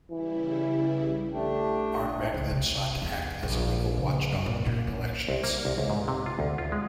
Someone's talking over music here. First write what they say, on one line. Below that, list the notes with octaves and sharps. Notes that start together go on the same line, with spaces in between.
Arnebeck then sought to act as a legal watchdog during elections.
C#3 E3 G3 E4
A3 D4 G4
C#2
C3
E2
A#1
C#3
F#2
A#2
A#2
E3
C2
A#3
C2
C#2
G#2
C3
F4
D2
F4
G#3